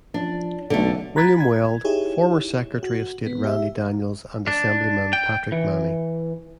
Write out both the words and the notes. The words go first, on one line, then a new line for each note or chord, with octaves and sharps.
William Weld, former Secretary of State Randy Daniels, and Assemblyman Patrick Manning.
F3 D4
B1 D3 A3
A#5 B5 F#6 G#6 A6 B6
G#6
D#4 E4 G4 G#4 C#5
F#4
B3
G4 E5
D4
G5
E3